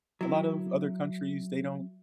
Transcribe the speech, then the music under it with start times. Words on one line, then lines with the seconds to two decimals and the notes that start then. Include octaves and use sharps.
a lot of other countries, they don't
0.21 F#3 E4